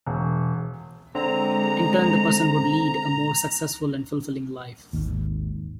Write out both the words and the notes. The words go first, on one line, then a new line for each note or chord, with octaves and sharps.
In turn, the person would lead a more successful and fulfilling life.
E1
D3 G#3 C4 A#5
G#1 D#2